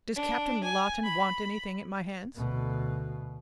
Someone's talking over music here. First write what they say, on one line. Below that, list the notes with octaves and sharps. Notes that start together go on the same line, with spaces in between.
"Does Captain Lawton want anything at my hands?"
D4
G#5
B5
D2 B2